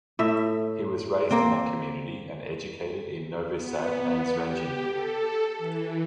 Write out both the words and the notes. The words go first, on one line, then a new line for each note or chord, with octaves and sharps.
He was raised in that community and educated in Novi Sad and Zrenjanin.
A2 E5
A#3 C4
B3
G4
A4
E3